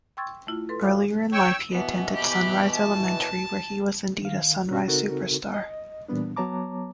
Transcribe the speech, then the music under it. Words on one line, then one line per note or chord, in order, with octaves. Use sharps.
Earlier in life he attended Sunrise Elementary where he was indeed a Sunrise Superstar.
G5 C6 C#6 E6 G#6 A6
A3 E4 F4
A4 B4 C6
F#4 C#5 F5 G#5 D6 D#6
C#5 G5 C#6 E6
B2 E3 B3
G4 B5
A5
D#3 F5
B2 C#4 F#4
C#3 C4 D#4 F#4 A4 A#4
D#5
A#2 E3 G3 B3 D4
F#3 B3 C#5 A5 A#5 D6